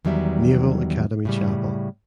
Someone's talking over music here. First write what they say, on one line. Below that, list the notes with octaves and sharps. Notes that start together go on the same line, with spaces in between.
Naval Academy Chapel.
E2 D#3 F#3 G3 E5
A2 C#3 G3